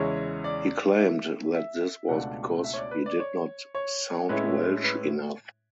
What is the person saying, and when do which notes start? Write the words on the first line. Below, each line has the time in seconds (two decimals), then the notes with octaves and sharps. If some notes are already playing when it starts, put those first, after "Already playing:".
He claimed that this was because he did not sound Welsh enough.
Already playing: E2 C#3 G#3 C#4 E4 C#5
0.44 D5
0.99 E5
1.54 E5
2.09 C#2 B2 A3 D4 F#5
2.64 E5
2.74 C#5
2.78 D5
2.91 B4
3.06 D5
3.20 C#5
3.75 C#5
4.29 A2 G#3 C#4 E4 B4
4.84 B4